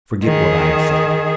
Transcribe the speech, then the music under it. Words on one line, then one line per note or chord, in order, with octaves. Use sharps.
Forget what I have said.
D#3 G#4